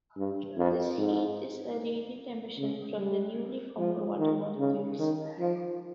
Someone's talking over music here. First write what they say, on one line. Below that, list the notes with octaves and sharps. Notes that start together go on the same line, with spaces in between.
This heat is a radiant emission from the newly formed water molecules.
G2
F2
G#2
C#3
G3
F3
D#3
C#3
D#3
F3